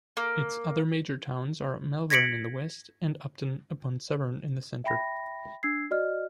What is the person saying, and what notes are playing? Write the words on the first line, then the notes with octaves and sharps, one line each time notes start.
Its other major towns are Malvern in the west and Upton-upon-Severn in the centre.
A#3
G#6 A#6 B6 C#7 D7 F#7
E5 G5 B5 A#6
D4 E6 G#6 C7
F#4 D5 D#5 F6